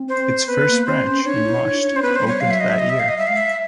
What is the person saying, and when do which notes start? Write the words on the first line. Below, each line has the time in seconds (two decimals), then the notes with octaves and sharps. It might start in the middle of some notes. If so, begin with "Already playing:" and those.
Its first branch, in Rasht, opened that year.
Already playing: C4
0.09 C5
0.47 B3 B4
0.67 A#3
0.86 C4 C5
1.06 C#4
1.25 D4 C#5
1.34 D#4
1.44 E4
1.64 D#4
1.73 D4
1.83 D4
1.92 C#4 C5
2.02 B3 B4
2.15 C5
2.21 G3
2.28 C#5
2.41 F#3 F5
2.51 E5
2.61 D#5
2.70 E5
2.79 D#5
2.89 E5
2.99 F5
3.08 D#5
3.18 G3 E5
3.27 G#3 F5
3.36 E5